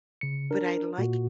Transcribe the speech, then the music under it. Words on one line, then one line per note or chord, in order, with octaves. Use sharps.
But I'd like
C#3 C#7
D4 A#4
A#2 F#4